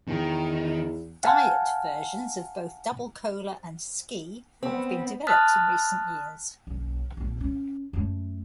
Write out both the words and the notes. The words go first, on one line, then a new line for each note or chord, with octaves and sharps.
Diet versions of both Double Cola and Ski have been developed in recent years.
E2 D#3
F5 F#5 G#5 A5 F6
B3 C4
A5 D#6 F6 F#6 A6 B6
F#1 B1
A#1 C4
C#4
F#2 A3